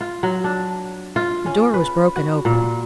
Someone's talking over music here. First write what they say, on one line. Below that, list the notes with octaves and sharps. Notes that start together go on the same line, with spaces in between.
The door was broken open.
F4
F#3
D4
F4
C#4
B4
F#4
A#2